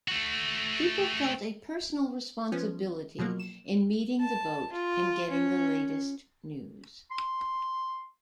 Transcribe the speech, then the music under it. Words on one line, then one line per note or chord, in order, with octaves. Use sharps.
People felt a personal responsibility in meeting the boat and getting the latest news.
A3 F#4
F3 B3 C#4
B2 F3 F#3 A#3
E7
A5
F4
C#4
C6